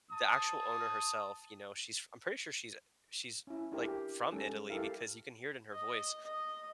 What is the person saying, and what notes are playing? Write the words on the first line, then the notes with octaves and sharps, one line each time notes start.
the actual owner herself, you know, she's f I'm pretty sure she's a she's, like, from Italy because you can hear it in her voice.
A5 D#6
C#4 E4
D4 E4 G4 A#4
G4
G3 G#3 C#4 D#4 A4
E4 G4 A4 A#4 F5
D#5
D#5